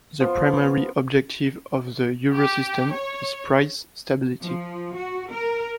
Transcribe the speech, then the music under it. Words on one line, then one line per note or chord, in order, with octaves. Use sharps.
The primary objective of the Eurosystem is price stability.
F3 B3 C6
G4
C#5
F3
F#4
A#4